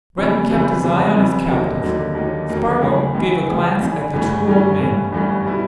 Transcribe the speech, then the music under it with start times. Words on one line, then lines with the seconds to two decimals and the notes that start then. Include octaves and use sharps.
Breton kept his eye on his captive; Spargo gave a glance at the two old men.
0.17 F2 C#3 E3 G3 B3
0.50 F2 C#3 E3 G3 B3
0.83 F2 C#3 E3 G3 B3
1.16 F2 C#3 E3 G3 B3
1.49 D#2 D3 F#3 A#3 D#4
1.82 D#2 D3 F#3 A#3 D#4
2.15 D#2 D3 F#3 A#3 D#4
2.49 D#2 D3 F#3 A#3 D#4
2.81 C#2 C#3 E3
3.15 C#2 C#3 E3
3.47 C#2 C#3 E3
3.80 C#2 C#3 E3
4.13 G1 G2 E3 A3 C#4
4.46 G1 G2 E3 A3 C#4
4.79 G1 G2 E3 A3 C#4
5.12 G1 G2 E3 A3 C#4
5.46 B2 G3 B3 E4